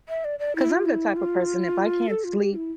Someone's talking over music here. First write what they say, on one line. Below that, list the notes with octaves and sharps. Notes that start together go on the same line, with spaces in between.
'cause I'm the type of person, if I can't sleep
E5
D5
D5
E4
F4
E4
F4
A4
F4
G4
E4